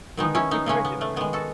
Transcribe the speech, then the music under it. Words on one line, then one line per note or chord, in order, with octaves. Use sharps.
Well, the the curriculum, anyways.
D#3 G#3 B3 D#4
C#4 E4
B3 D#4
C#3 G#3 A3 C#4
B3
A3
D#3 G#3 B3
F#4 A4